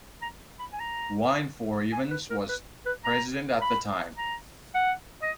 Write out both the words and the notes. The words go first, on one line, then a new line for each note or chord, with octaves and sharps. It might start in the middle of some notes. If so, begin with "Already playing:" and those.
Gwynfor Evans was president at the time.
A#5
B5
G#5
A#5
G#5
B4
A#4
B4
B4
A#5
B5
A#5
F#5
D#5